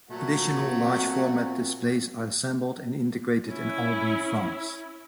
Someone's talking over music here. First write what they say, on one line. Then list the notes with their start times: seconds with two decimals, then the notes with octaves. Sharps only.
Additional large-format displays are assembled and integrated in Albi, France.
0.11 A#2 F#3 A3 F#4
0.62 C4
3.48 C#4 E4